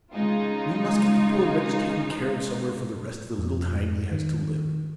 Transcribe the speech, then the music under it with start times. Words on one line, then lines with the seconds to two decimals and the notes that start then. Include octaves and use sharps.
We must get the poor wretch taken care of somewhere for the rest of the little time he has to live.
0.12 C#3 G#3 D#4 F4
3.39 F2
4.11 D#3